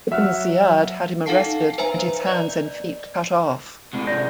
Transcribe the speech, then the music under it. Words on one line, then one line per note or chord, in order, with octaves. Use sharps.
Ibn Ziyad had him arrested and his hands and feet cut off.
F#3 E5 F#5 F6 F#6
D#4 A4 F5 F#5 A5 C7
B4 C5 E5 G#5 A#5
D5 D#5
C3 G#3
D5 G6 A#6